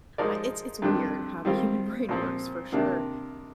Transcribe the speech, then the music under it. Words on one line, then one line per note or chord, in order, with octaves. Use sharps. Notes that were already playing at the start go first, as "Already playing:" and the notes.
I it's it's weird how the human brain works for sure,
F3 G#3 D#4 A#4 D5
F2 D#3 G3 D4
D#3 G3 C4 F4
A#2 F3 C4
C3 D#3 A#3 D4